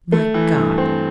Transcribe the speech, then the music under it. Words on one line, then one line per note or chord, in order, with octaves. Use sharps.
My God!
A3
E3
G2
C4